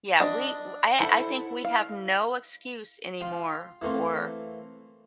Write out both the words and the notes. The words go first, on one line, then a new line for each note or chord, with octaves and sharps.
yeah, we I I think we have no excuse anymore for
D4 D#5
E4 A4 C5 E5 F#5
F5
F4 G5
E3 A3 A#3 C4